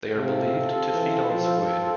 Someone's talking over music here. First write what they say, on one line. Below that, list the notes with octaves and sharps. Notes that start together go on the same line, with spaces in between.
They are believed to feed on squid.
C3 C4 F4 A4
E3
F3